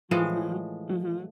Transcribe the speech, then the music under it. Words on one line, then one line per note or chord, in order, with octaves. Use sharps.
Mhm. Mhm.
A2 E3 F3 G#3